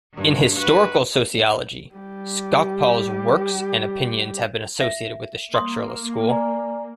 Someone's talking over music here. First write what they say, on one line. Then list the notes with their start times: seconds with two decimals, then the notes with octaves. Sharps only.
In historical sociology, Skocpol's works and opinions have been associated with the structuralist school.
0.13 G2 D#3
0.56 F#4 B4
1.95 G3 G4
4.81 E5
5.54 A#3 C6 D#6
6.29 D5 G#5 A#5